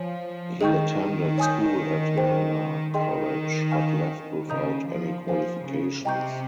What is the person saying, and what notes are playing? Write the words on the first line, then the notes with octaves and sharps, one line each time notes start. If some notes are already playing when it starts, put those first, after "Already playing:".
He attended school at Mana College but left without any qualifications.
Already playing: F3 C#5 G#5
D#3 G#4 D#5 G5 C#6 G6
C#5 G#5 D#6 G6
G#4 C5 G5
D#3 G#4 D#5 G5 C6
F5 G#5 C#6 F6
C#3 D#5 A#5 D#6 G6
F3
F3 C5 F5 G#5
C#3
C3 D#5 G5 A#5 C#6 G6